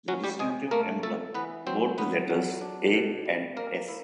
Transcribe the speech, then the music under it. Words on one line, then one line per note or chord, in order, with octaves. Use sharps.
The distinctive emblem bore the letters "A" and "S".
F#3 C#4 F#4
G3 G4
C3 G#3 G#4
A3 A#3 A#4
A3 A4
E3 B3 B4
F#3 C4 C5
F#3 B3 B4
F#3
D4
B2
G3
A#3 A#4
A#3 E4